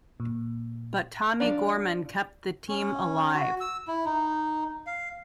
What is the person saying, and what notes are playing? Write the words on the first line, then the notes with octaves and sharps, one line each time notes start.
But Tommy Gorman kept the team alive.
A#2
F3 D4
C#4
F#4
E6
E4
D#4
F5